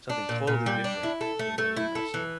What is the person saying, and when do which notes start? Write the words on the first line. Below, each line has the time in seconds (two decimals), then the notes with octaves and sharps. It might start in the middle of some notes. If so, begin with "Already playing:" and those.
something totally different than you know, than wrestling.
0.10 D4
0.29 A#2
0.47 A#2
0.66 G3
0.84 D4
1.03 E4
1.21 A4
1.39 A3
1.58 A3
1.77 E4
1.95 A4
2.14 E3